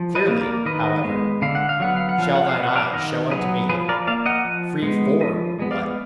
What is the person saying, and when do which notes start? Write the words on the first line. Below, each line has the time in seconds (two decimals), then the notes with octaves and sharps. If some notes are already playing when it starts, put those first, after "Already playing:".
Clearly, however, shall thine eye show unto me: free FOR WHAT?
Already playing: F3
0.15 B4 D#5
0.28 A#3
0.41 A#4 D5
0.66 D#3 B4 D#5
1.04 G#3 B3
1.42 D3 F5
1.55 F#5
1.69 F5
1.80 F#3 B3 F#5
1.96 F5
2.09 F#5
2.18 F3 F5
2.36 F#5
2.49 F5
2.56 B3
2.63 F#5
2.75 D5 F5
2.93 D#3 D#5 F#5
3.31 F#3 B3 G#4 B4
3.69 F3 G#4 B4
3.89 A#4 D5
4.07 A#3 D5 F5
4.26 D#5 F#5
4.45 F3
4.82 G#3 B3
5.21 F3 B4 D#5
5.59 G#3 B3
5.71 D5 F5